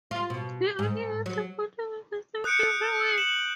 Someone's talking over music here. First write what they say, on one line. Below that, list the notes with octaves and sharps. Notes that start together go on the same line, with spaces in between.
The idea at the bottom is the same everywhere.
F4
B2
G#2
F#3
D#6 F#6 G6 C#7 D7
E7 F#7